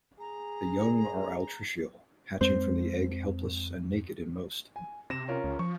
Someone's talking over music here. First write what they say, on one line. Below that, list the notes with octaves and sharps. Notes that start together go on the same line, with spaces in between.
The young are altricial, hatching from the egg helpless and naked in most.
G#4 A#5
F2 G#3 C4 C5
G#5
C3 A#6 E7
C#4 F4 A#4
C#2
F3 C#6